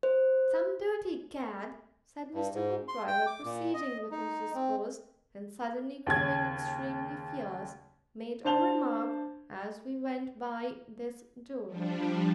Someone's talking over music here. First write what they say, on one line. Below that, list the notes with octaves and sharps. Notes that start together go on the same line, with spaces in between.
"Some dirty cad," said Mr. Hoopdriver, proceeding with his discourse, and suddenly growing extremely fierce, "made a remark as we went by this door."
C5
G2
G#2
C6
G5
D6
A#2
D#5
D#4
C4
D#2 C#3 G#6
D4 C5 A5 F7 G7
F3 G3 D4